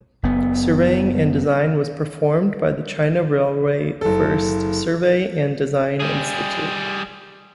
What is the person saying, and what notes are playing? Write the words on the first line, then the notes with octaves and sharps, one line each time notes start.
Surveying and design was performed by the China Railway First Survey and Design Institute.
F#1 B3
F#1 A4
G3 G#4